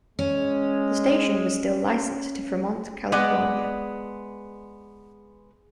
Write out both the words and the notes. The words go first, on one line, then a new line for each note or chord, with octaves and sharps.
The station was still licensed to Fremont, California.
G#3 C#4
G#3 B3 D5 F#5